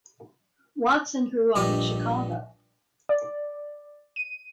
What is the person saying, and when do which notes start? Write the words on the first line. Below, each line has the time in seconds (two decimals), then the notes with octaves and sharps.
Watson grew up in Chicago.
1.55 A#1 G2 G4 D5 D#5
3.09 D5
4.16 D#7